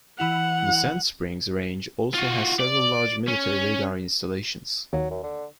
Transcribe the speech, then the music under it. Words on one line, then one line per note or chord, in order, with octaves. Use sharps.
The Sand Springs Range also has several large military radar installations.
E3 E4 F#5 F7
F4 F#4
D5
C#4
D#2 F#3
F#2
D3